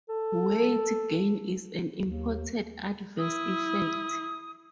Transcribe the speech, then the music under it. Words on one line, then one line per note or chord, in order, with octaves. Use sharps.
Weight gain is an important adverse effect.
A4
D#2
E4 D#6